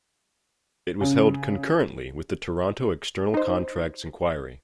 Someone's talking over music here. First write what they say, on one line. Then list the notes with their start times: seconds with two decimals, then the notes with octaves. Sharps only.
It was held concurrently with the Toronto External Contracts Inquiry.
1.01 C#3
3.34 D#4 C5